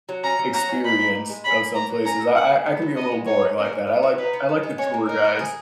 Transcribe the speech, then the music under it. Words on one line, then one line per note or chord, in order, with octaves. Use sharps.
experience of some places, I I I can be a little boring like that, I like I like the tour guides.
F#3
C#4 A#5
F#3
F#4 A#5
C#4
D#4 B5
A#3
D#4
G#3
C#4 B5
A#3
A#3 A#5
F#3
C#4 A#5
F#3
C#4 F#5
G#3
B3
F#3
B3 D#5
G#3
D#4 C#5
G#3
C#4 A#4
F#3
B3
F#3
D#4 B4
B3
B3
G#3
C#4 C#5
A#3
D#4 A#4
B3
G#4